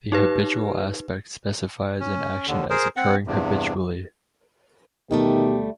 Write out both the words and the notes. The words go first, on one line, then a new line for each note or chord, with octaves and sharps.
The habitual aspect specifies an action as occurring habitually.
D#4 G4 B4
C#4
D#2 D3
G#4 A#4 C5
C4 F#5
E2 G2 C3
D2 B2 D#3 G3 A3 G4